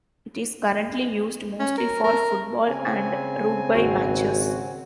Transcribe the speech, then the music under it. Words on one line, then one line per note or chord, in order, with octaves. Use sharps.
It is currently used mostly for football and rugby matches.
C#4
A#4
A#4
C#3 C4 G#5
G#1 F#4